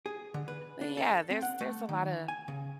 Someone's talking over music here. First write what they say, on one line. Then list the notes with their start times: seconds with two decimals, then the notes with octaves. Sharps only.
but, yeah, there's there's a lotta
0.06 G#4
0.34 D3
0.48 B4
0.81 D4
0.97 A4
1.31 C4
1.42 F#5
1.61 A3
1.89 D#3
2.28 G#5
2.48 C#3